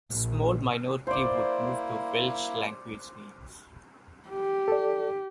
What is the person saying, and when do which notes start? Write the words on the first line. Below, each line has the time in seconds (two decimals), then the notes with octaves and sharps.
A small minority would move to Welsh language names.
0.12 A#1
1.07 A#3 E4 C5 D5
4.29 G4
4.68 A4 D5